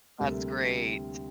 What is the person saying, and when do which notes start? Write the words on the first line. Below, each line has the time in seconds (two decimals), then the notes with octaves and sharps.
That's great.
0.18 D2 C3 G3 A#3